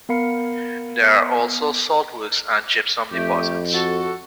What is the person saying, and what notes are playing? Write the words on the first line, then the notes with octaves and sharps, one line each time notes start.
There are also salt works and gypsum deposits.
B3 A#4 F5 B5 C#7
F2 A3 G4
F#4 A4